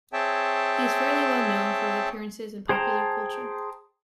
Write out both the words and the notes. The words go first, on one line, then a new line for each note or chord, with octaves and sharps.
He is fairly well known for his appearances in popular culture.
C4 G#4 C#5 E5 G5 A5
G#4 C5 G5 A5 A#5